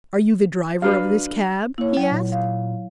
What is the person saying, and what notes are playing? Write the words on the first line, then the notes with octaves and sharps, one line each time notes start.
"Are you the driver of this cab?" he asked.
F#3 D4 B4 F5
A#3 E4 C#5
F#3 G5
A#2
F5